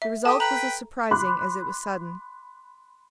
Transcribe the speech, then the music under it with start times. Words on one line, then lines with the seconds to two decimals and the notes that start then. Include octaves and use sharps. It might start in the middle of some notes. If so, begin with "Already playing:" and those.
The result was as surprising as it was sudden.
0.02 E5
0.25 G4 A4 A5 D#6
0.40 B4 G5 A#5 F#7
1.11 B5 C6 D6 F#6